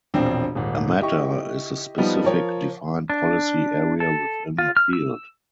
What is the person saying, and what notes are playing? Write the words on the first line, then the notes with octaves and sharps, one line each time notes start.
A Matter is a specific defined policy area within a Field.
E1 A#1 C4 D4
D#1 G#2 D#3
E4 G4 D#5 C#6
F3 G3 B3 D#4
F3 A#4 C#5
D4
A4
F4
F6
E6